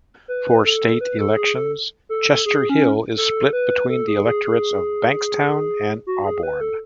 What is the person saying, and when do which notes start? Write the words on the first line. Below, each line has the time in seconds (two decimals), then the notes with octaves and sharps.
For state elections, Chester Hill is split between the electorates of Bankstown and Auburn.
0.28 B4
0.65 A4
1.01 B4
1.19 A4
1.36 G#4
1.55 A4
2.09 A4
2.46 G#4
2.69 C#4
3.17 A4
3.53 B4
3.90 A4
4.08 G#4
4.25 G#4
4.44 G#4
6.07 F#4
6.25 G#4
6.43 B4
6.61 A4